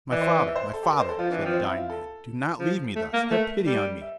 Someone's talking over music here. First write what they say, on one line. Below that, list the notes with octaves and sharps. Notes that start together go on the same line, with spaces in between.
"My father, my father," said the dying man, "do not leave me thus: have pity on me!"
E3 D5
C5
D5
E5
C5
A4
G4
A#4
C5
A4
F3 F4
E3 D4
C4
F3
C4
E4
F4
A4
F3
A3
A#3
A3 A#4
G3
E5